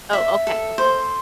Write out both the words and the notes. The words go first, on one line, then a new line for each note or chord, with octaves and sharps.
Oh, okay, okay.
E5
A4
C5